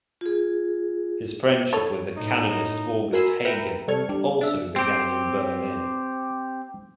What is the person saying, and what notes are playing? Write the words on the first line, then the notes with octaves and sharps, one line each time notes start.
His friendship with the canonist August Hagen also began in Berlin.
F4 G#4
A4 C#5
A2 D#4
F#4 A#4 G#5 B5 C6 E6
A#4 B4 E5 G5 A#5
C3 G3 A4 C#6 F6 G#6
G3 D4
D4 E5
C4 G4